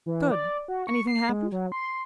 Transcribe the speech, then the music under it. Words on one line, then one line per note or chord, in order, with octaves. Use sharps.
Good. Anything happened?'
E3
D5
F#4
C#6
C7
G#3
F#3
C6